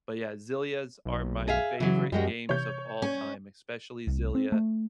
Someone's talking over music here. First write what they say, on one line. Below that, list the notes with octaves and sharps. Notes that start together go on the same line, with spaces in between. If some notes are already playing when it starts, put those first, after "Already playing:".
but yeah, Xillias are my favorite games of all time, especially Xillia
B1
G#4 E5 F5
C#3 E3 F#3
F#2 G3 G#3 F#4
C3 E3 C#5 G6
C#4
C2
C4
A3